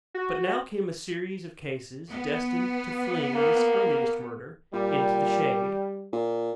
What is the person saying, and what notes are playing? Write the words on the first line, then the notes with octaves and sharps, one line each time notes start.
But now came a series of cases destined to fling this earliest murder into the shade.
F#4
B3
A#3
A#2 G3
A#2